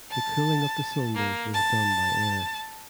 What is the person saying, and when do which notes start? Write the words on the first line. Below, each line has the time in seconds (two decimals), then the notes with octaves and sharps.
The cooling of the cylinders was done by air.
0.11 A5
1.15 A#3
1.54 A5